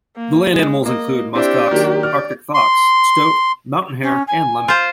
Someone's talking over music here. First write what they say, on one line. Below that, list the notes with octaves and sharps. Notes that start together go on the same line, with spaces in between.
The land animals include muskox, Arctic fox, stoat, mountain hare and lemming.
A#3
G#3
A#3 D#5
C4 D4 E4 G4 C5
D#3 F#3 A#3
D5 F6
C6
C#4
G#5
F4 C5